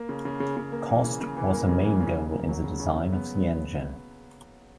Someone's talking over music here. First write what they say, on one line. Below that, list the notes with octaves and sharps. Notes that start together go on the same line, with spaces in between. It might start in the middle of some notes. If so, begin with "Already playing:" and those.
Cost was the main goal in the design of the engine.
Already playing: A#3
C#3
C#3
C#3
C#3
A#3
E3
C#3
C#3
E3
A#3
C#3
E3
C#3
C#3
A#3
F#3
C#3
C#3
C#3
B3